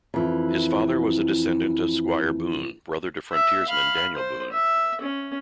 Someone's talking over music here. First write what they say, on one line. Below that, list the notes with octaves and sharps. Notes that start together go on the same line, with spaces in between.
His father was a descendant of Squire Boone, brother to frontiersman Daniel Boone.
F2 E3
E5
F5 B5
C5
E5
C#4